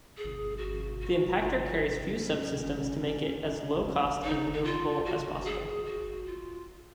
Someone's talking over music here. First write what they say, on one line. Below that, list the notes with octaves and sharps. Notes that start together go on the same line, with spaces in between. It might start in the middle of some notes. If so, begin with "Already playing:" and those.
The impactor carries few subsystems to make it as low-cost and maneuverable as possible.
G#4
F#4
F#4
F4
C#4
D#4
D#4
F4
F#4
G#4
F#4
F4